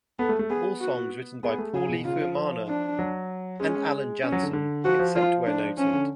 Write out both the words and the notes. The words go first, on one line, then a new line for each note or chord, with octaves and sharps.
All songs written by Pauly Fuemana and Alan Jansson except where noted.
B3 A4
A3
A3
B3 G#4
F#4
B3 G#4
A3
C#3 G#4
B2
C#3 F4
F3
F3
D4
F#3
G#3 C#4
C#4
F#3
D3
D3
F3 F#4
F3
F3 F4
D4
F3 C#4
D3